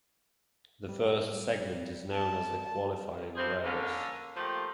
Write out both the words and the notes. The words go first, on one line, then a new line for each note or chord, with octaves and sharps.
The first segment is known as the Qualifying Race.
G3
G3
A5
G2 F3 C4 G#4 C5
D3 A#3 C#4 A4 A#4
F3 A3 A#3 G4